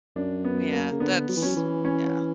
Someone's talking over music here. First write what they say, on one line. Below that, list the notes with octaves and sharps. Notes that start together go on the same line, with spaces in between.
Yeah. That's yeah.
F#2 D4
B3
A#3
C#3
D3 B3
F#3
E3
F#3 C#4
E3
C#4
C#4